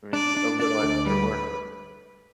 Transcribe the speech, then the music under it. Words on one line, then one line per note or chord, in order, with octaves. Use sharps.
I mean, it's a little extra work, but
D4 D5
D4
D4 D5
D2
G3 B4